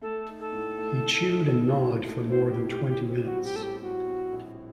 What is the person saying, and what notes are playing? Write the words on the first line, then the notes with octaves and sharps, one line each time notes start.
He chewed and gnawed for more than twenty minutes.
A3 A4
D#4
A4
A2
A3
A3
D#4
A1
A1
A3
A2 C5
G4
A1
G4
A1
G4
C4
F#4
G3
G4
A2 A4
G4
A2 F#4
C4
A#1